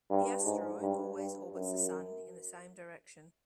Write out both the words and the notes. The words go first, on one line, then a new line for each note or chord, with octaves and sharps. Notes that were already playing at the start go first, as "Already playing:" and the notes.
The asteroid always orbits the Sun in the same direction.
G2
G#2
G2
G2
F#2